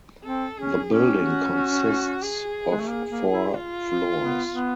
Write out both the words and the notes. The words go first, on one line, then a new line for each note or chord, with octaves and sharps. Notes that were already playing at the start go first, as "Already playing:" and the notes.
The building consists of four floors.
C4 A4
C#4 G#4
C#4 G4
F#4
F#4
G#4
G#3
A3
A#3 G#4
A#3
E4
F4
B3
B3